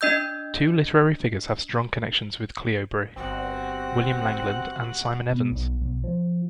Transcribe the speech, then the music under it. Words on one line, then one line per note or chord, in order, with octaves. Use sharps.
Two literary figures have strong connections with Cleobury: William Langland and Simon Evans.
D4 D#5 E6 G6
G1 C4 F#4 F#5
B2
B1
B1
F3